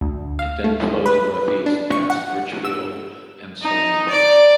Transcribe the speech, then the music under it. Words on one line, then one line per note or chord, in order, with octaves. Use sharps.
It then flows northeast past Richfield and Salina.
D2
F5
A3
B4
D4
C#6
F#5
E6
D#4
D5